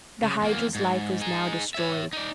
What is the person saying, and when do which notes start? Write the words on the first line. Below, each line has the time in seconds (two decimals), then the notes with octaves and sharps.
The Hydra's life was now destroyed.
0.23 C#3
0.41 E2 A#3
0.75 G#2
1.21 D#4 G#4
1.75 C#5 E5
2.13 D#4 D5